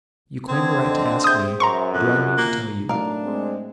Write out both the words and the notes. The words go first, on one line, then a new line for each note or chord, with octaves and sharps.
You claim a right to ask me do I mean to tell you.
D3 C4 A5 D#6 G#6
A4 A#4 D#5
G#4 C5 E5 D#6 G6
F#2 A#5 C6 C#6
F2 F4 F#4 F#6
A#3
A2 F#3 D4 D#4 A#4 F5
G#3 C4